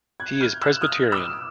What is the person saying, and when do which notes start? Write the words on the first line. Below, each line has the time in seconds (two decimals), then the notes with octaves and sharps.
He is Presbyterian.
0.20 F#6 G#6
0.41 F6 G6
0.61 E6 F#6
0.81 D#6 F6
1.12 D6 E6